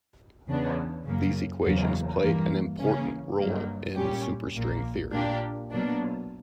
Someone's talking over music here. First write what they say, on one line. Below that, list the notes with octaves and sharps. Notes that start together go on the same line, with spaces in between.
These equations play an important role in superstring theory.
E2 C#3 E3 B3 D4
F#2 C#3 F#3 A#3
E2 C#3 F#3 A#3
G2 E3 A#3
C#3 E3 A#3 C#4
G2 F#3 A#3
A#2 G3 C#4 G4
A#1 A#2 A#3
A#2 A#3 D4 G4
B2 F#3 A#3 D4